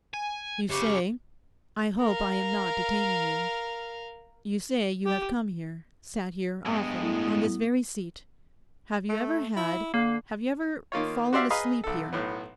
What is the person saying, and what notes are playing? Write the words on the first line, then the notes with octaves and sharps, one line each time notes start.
'You say--I hope I am not detaining you--you say you have come here, sat here often, on this very seat; have you ever had--have you ever fallen asleep here?'
G#5
F#2 C#3 G4 C#6 D6
A#4 F5
G4
G2 G#3 B3
A2
A3
E4
D3 A#3
D#3 A#3 F4 C#5
F#4 G4 C5 D5 E5 F5
G#4 B4 D#5 F5 A#5 D#6
B1 A4
B1 A2 B3